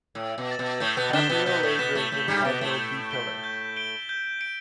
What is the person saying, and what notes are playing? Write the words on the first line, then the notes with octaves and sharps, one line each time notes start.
Cabriolet version had no B-pillar.
A2 E6
B2
A6 E7
B2
A2 A3 G6
B2 B3
D3 D4 B6 E7 G7
B2 B3
B2 B3 G6
A2 A3
B2 B3 B6 E7 G7
A2 A3
A2 A3 G6
G2 G3
B2 B3 B6 D7 G7
A2 A3
G6
B6 D7 G7
G6
D7 G7
G6
D7